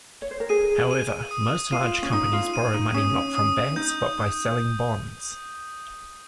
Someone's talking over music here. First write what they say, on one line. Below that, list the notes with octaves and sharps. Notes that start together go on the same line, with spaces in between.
However most large companies borrow money not from banks, but by selling bonds.
C#5
C5
A#4
G#4 D#7
D#7
D#6
F4 D#7
C#4
D#4 D#6
F4
D#7
D#4
C#4 D#6
D#6
D#4 G6